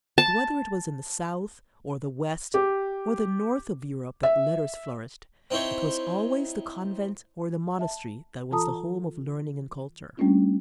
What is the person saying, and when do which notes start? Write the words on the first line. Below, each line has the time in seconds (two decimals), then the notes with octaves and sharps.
But whether it was in the south, or the west or the north of Europe that letters flourished, it was always the convent or the monastery that was the home of learning and culture.
0.18 A5
2.54 G4
4.23 E5
5.51 C4 D#4 E4 C5 C#5
7.79 E5 A5
8.51 E3 F4 A4 A5 A#5 D#6
10.17 G3 A3 A#3 C#4 D4 F4